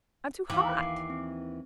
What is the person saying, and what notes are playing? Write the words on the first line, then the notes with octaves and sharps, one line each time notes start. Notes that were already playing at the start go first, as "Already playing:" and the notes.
"I'm too hot."
D#2 E3 F5 D6
D6 C7
C4